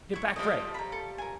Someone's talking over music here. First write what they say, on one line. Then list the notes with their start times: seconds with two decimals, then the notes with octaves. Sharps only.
Get back, Gregg!
0.14 E4 C#5
0.36 F3 G3 A3 D#5 B5
0.74 A#5 B5
0.92 A4
1.18 A#4 G#5